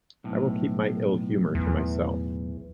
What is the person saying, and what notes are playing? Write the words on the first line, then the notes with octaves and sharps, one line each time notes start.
I will keep my ill-humour to myself.
B1 A2
E2